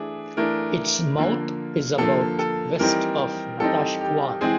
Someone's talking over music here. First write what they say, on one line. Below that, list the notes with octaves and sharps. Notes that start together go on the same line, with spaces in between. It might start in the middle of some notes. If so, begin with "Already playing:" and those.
Its mouth is about west of Natashquan.
Already playing: E3 A3 D4 G#4
E3 A3 D4 A#4
D3 F3 A#3
D3 F3 A#3 A4
A4
E3 G3 C4 D#4 A#4
E3 G3 C4 D#4 A4
G4
E3 G#3 C4 G#4